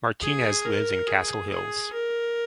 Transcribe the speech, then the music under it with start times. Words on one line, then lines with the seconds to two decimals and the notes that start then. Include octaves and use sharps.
Martinez lives in Castle Hills.
0.23 G#4
0.65 A#4
1.08 G#4
1.50 G#4
1.93 A#4